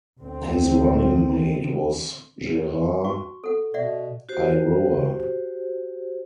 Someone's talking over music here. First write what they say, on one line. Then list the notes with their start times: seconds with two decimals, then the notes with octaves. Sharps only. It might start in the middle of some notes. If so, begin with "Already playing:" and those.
His running mate was Gerard Iroha.
0.18 D2 C4
3.04 F#4 C#6
3.44 A4 F#5
3.74 B2 D5 E5 F#5
4.29 F#4 G4 C5